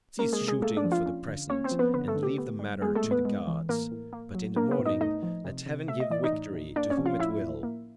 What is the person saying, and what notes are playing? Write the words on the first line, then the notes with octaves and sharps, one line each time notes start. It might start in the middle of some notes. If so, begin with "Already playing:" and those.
Cease shooting for the present and leave the matter to the gods, but in the morning let heaven give victory to whom it will.
A#3 C#4 A#4
G#3 G#4
C3
G#3 G#4
A3 A#3 A4
D4 D5
F3
F4 F5
C#4
D3
A#3 C#4 C#5
C4 C5
F3
B3 B4
D3 B3 B4
A3 A4
D3
G4
B3
G3
G#3 B3 G#4
A3 A4
A2
B3 B4
G#3
E3
A2 A#3 A#4
A2
A#3
F#3
A#3 D4 A#4
B3 B4
A2
D#4 D#5
A3 D#4 D#5
F3
C3
C3
A3 E5
D#5
E3 D5
D#4 D#5
A2
A2
A#3 D4 D5
C#4 C#5
F3
F4 F5
A2 E4 E5
A2
A#3